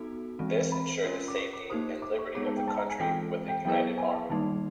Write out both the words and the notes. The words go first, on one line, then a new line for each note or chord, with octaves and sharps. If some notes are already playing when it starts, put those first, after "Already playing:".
This ensured the safety and liberty of the country with a united army.
Already playing: B3 D#4 F#4 A4
E3 G#3 C4
B5
C#4 F4 A#4 C#5
D6
C#6
D6
A#3 D#4 G4 C5 D#6
D6
C#6
G#3 B3 D#4 G#4 C#5 D6
A5
G5
A5
A#5
G#5
E3 G#3 C4 F4 A4 G5
G5
F#3 B3 E4 G#4 B4 G5
G#5
A5
D#3 G3 A#3 D#4 A5